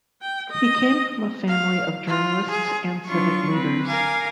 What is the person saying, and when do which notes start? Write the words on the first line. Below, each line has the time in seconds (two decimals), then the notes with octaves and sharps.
He came from a family of journalists and civic leaders.
0.22 G5
0.50 D#5
1.48 F5
2.08 F4
2.50 G#4
3.06 F#3 D4 F4 C#6
3.51 C4 B4
3.85 A#4 F5 G#5 D6